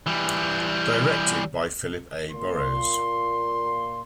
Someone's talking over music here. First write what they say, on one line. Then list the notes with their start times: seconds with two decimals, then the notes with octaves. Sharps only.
Directed by Philip A. Burrows.
0.06 E3 G3
2.31 A#2 C6